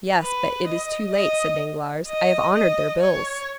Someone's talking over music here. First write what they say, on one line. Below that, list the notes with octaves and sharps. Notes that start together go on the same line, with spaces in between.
"Yes, but it is too late," said Danglars, "I have honored their bills."
B4
D#5
D#5
D#5
D#5
C#5